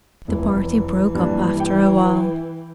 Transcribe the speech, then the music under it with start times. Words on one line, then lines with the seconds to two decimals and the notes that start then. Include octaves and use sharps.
The party broke up after a while.
0.28 F1 E3
1.15 G2 A#2
1.60 G5